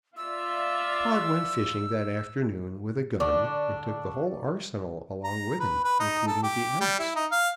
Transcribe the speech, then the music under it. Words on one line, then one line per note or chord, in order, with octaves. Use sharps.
Pod went fishing that afternoon with a gun, and took the whole arsenal along with him, including the axe.
F4 D5 E5 E6
D3 D4 D5 C#6
A#5
B4
B4
D#4
A4
G4
G3
E4
D#4
F5